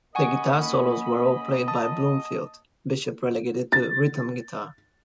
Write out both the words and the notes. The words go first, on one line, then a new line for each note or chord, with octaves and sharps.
The guitar solos were all played by Bloomfield, Bishop relegated to rhythm guitar.
A#3 C#4 D#5 F#5 G#5 B5 C#6
A5 D#6
A6